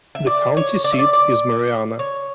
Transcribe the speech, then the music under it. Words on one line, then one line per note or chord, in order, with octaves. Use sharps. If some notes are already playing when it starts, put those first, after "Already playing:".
The county seat is Marianna.
E5
D5
C#5
D5
E5
D5
D5
C#5